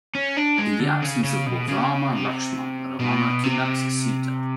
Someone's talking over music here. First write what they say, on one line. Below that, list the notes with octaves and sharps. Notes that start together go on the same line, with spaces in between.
In the absence of both Rama and Lakshman, Ravana kidnaps Sita.
C#4
D4
G#3
D3
C#3
C#3
B2
C#3
C3
B2
C3